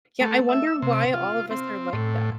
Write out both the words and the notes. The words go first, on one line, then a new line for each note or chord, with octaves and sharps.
Yeah, I wonder why all of us are like that.
A3
E5
E6
C3
F4
C4
A2